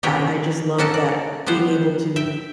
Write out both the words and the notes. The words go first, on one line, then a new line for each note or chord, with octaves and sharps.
I I just loved that being able to
D#3 E3 B3 G4 C#5 E5
A#3 C#4 F#4 A4 A5
D5
F3 G3 B3 C5
E5 G5